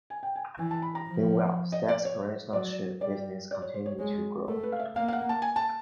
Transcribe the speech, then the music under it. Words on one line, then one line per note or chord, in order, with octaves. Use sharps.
Meanwhile, Stac's original chip business continued to grow.
G#5
G5
G#5
E3 G#5
A5
B5
A#5
F3
D#5
D5
C#5
F#3 D5
G3 D5
D5
C#5
C5
C#5
G#3 C#5
A3 A#4
B4
F5
E5
A#3 F5
F5
F#5
A5
G#5
A5